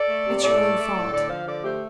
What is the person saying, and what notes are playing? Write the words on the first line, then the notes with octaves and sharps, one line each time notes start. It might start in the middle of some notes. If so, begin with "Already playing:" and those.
'It's your own fault.
Already playing: A4 D5
A3
C3
A2 A4 D5
A3
A3
A2
D3 A4 D5
F3 C5 F5
D3 A4 D5
A3 G4 C5